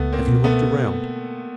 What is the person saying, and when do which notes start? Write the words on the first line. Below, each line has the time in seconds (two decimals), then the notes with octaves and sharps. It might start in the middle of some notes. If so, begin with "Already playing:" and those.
"Have you looked around?"
Already playing: C#2 A3 B3
0.13 A#3 C4
0.28 B2
0.44 A3 B3